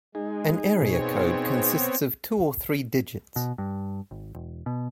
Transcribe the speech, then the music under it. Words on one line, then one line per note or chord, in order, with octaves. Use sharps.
An area code consists of two or three digits.
G#3 D#4 G#4
B2 B3 C4 C#5
B2
G2
G#1
E1
B2